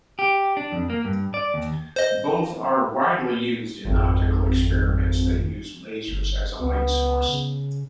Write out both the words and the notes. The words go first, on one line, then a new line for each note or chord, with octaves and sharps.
Both are widely used in optical experiments that use lasers as a light source.
G4
D4
F2
A#3
G2
D5
D#2
C5 D#5
G#1 F2
G1
C#2 B3
C#3